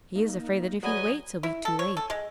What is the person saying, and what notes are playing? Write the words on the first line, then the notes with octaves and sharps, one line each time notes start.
"He is afraid that if he waits he'll be too late!"
A#3 D#4
F#3 G#4 B4 D5 D#5 F#5 G#5 B5
E4
A4
C#5
A4
G#3